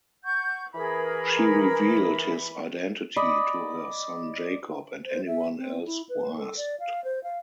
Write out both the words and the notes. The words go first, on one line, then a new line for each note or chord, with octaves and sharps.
She revealed his identity to her son Jacob and anyone else who asked.
F#5 C#6 G6
E3 G#4 A#4 B5
D5 D#5 B5
C5
E5
C4
E4
B4
A4
D5
F5
C5
F5